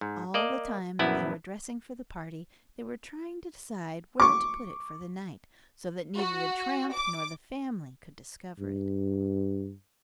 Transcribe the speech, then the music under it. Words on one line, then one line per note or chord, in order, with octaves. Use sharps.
All the time that they were dressing for the party, they were trying to decide where to put it for the night, so that neither the tramp nor the family could discover it.
G#2
A#3 D5 D#5
A#1 F#2 B3 E4
C#6 D6
F#4
D6
G2